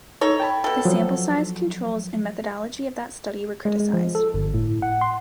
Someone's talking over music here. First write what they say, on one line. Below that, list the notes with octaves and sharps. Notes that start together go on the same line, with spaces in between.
The sample size, controls, and methodology of that study were criticized.
D#4 A4 C#5
G5 A5 B5
B2 A4
F3 F#3
G#3
G#3
F3
A4
G1
A2
F#5
C6